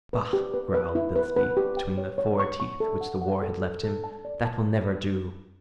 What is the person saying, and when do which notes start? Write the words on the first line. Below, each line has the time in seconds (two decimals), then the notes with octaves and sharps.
"Bah!" growled Bilsby between the four teeth which the war had left him; "that will never do!"
0.13 B4
0.33 G4
0.54 B4
0.75 B4
0.95 E4
1.16 B4
1.36 B4
1.57 G4
1.77 G5
1.98 C#5
2.18 C#5
2.39 C#6
2.60 C#6
2.80 A4
3.01 F#5
3.21 F#5
3.42 A4
3.63 A4
3.84 A4
4.04 A5
4.25 D5
4.45 A5